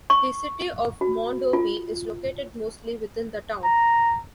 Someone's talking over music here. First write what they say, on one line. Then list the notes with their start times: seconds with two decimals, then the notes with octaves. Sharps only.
The city of Mondovi is located mostly within the town.
0.10 C#6
1.01 F#4
1.53 F4
3.64 A#5